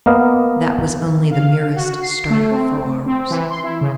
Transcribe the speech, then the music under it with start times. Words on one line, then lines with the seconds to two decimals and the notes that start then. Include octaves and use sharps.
That was only the merest starter for ours.
0.06 A#3 B3 D#5 F5
1.31 F5
1.76 F#4
2.02 C7
2.30 A3
2.51 C4
3.06 C4
3.30 E3
3.50 C6
3.64 E4
3.81 C#3